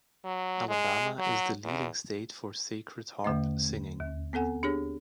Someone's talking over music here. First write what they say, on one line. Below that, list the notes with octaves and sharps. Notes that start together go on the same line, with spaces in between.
Alabama is the leading state for Sacred Harp singing.
F#3
G#3
F#3
E2
E2 D3 A3 D#5
D#2
B3 C4 A4 F#5 G#5
D4 G4 G#4 C#5